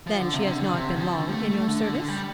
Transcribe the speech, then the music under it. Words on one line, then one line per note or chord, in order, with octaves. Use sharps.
"Then she has not been long in your service?"
F3
D3
C3
D3
D3
C3
D3
F3
D3
G3
A3
A3
D3
D3
D3
G3